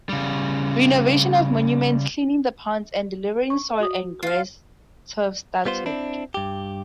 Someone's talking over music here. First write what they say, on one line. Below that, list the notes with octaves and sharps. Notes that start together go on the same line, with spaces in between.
Renovation of monuments, cleaning the ponds and delivering soil and grass turf started.
C#3 G3
C#6
F#4 D#6
F4 F5
G3 B3 F4 C5
C4 D4 E4
G2 G4